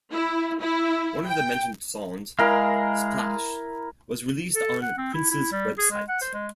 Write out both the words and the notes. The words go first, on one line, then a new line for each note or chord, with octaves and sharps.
One of the mentioned songs, "Splash" was released on Prince's website.
E4
E4
G5
G#3 E4 A#4 F5
A4
F#5
C4
E4
E4
G3
G#4
G#3
F#5
C5
G#3